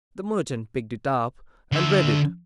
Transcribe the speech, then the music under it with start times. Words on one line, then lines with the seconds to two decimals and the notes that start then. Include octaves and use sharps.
The merchant picked it up and read it.
1.72 D3 E5